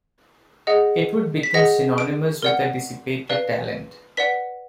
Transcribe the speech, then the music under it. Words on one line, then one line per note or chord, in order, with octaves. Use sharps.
It would become synonymous with dissipated talent.
G#4 D#5 F#5
B6
G#4 D#5 F#5 A#6
D7
A#4 D5 F#5
B4 D5 F5
B4 D5 F#5 B6